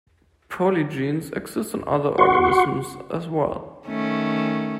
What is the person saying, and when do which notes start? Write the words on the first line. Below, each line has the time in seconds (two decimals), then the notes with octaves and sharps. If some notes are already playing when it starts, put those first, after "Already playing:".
Polygenes exist in other organisms, as well.
2.18 F#4 F#5 C6 C#6
3.88 D#3 A3 C#4